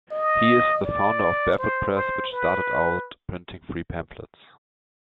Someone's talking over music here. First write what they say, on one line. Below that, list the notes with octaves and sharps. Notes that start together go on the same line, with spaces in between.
He is the founder of Barefoot Press, which started out printing free pamphlets.
D#5
D5
C5
C5
B4